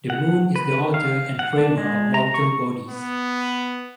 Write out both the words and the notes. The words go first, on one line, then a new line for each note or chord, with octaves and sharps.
The moon is the author and framer of mortal bodies.
F#5
B4
F5
F#5
D4
G#3
A#5
C#6
B3